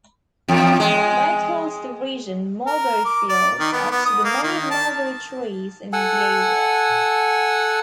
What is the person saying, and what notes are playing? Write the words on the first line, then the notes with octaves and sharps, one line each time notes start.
They called the region "Mulberry Fields", after the many mulberry trees in the area.
E2
G#3
A#4
D6
D5
D#3
B3
B3
D#6
A#3
D#3
A5
A4 F#5 G#5 E6